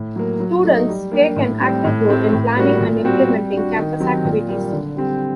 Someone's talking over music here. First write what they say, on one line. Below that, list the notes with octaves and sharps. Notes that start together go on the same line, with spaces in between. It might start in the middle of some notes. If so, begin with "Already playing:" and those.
Students take an active role in planning and implementing campus activities.
Already playing: A2
F#3 A#3
F#3
A3 D#4
G3
A#3 D4 G4
A2
G3 C4
A2
A3 C4 G4
A2
G3 A#3 F#4
A#2
G3 C4 F#4
G3
D4
F#4
D#3
F#3 C4 G4
A#2
G3 A#3
D3
G3 C4 G4